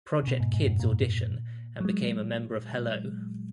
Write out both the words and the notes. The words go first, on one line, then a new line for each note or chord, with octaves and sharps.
Project Kids Audition and became a member of Hello!
C#3
B2
G#2
G#2
F#2
A#2
F#3
G#3